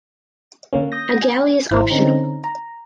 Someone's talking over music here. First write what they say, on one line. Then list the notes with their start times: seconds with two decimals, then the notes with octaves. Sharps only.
A galley is optional.
0.73 D3 A#3 C#4
0.92 D#6 G6 A#6
1.22 G#5
1.71 G#1 E4 C5
1.90 D3 C4 C#4 D#4 A#5
2.44 A#5